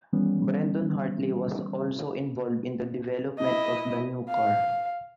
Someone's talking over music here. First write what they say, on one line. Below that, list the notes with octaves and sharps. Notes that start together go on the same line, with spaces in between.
Brendon Hartley was also involved in the development of the new car.
D#3 E3 G3 B3 C#4
E4 D#5
F5